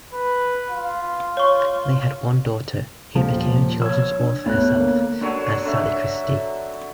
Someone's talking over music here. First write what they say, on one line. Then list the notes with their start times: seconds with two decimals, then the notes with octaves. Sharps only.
They had one daughter, who became a children's author herself, as Sally Christie.
0.14 B4
0.71 F4
1.37 C#5 C#6
3.15 D#1 F3
3.82 C#5 E6 G#6
4.20 D4
4.46 D2 B3 C#5 F#6
4.80 A#3
5.21 D3 F#3 A4 C#5
5.65 D3 E5